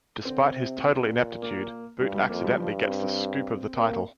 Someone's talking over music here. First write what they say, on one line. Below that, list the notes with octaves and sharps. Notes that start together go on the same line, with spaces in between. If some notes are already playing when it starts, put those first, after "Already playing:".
Despite his total ineptitude, Boot accidentally gets the "scoop" of the title.
D3 C4
C3
A#2
A#3
G2 G3
G3
F2 A#3
G3
G2 F3
C4
C4
A#3